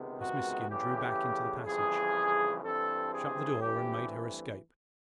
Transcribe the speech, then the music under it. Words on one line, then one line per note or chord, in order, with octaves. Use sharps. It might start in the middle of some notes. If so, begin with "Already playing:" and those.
Miss Miskin drew back into the passage, shut the door, and made her escape.
Already playing: C#2 C3 D#3 G#3 B3
F#4
E2 C#3 E3 A3 G4
F2 C#3 E3 G3 G#4
G2 E3 G3 C4 A4
G#4
G2 E3 A3 C4 G4